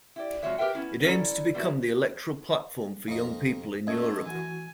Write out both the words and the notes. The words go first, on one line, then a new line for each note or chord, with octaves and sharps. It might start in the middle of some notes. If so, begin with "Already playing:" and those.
It aims to become the electoral platform for young people in Europe.
E4 G4 D5
C3 F3 G#3 F#4 C#5 E5
G4 A#4 B4 E5 G5
B3 C#4 E4
C#4 E4 A4 D5 A#5
G3 A3 B3 E4 F#4
F2 D#4
F#2 A3 C#4 D#5 G#6
E3 F#4 G#5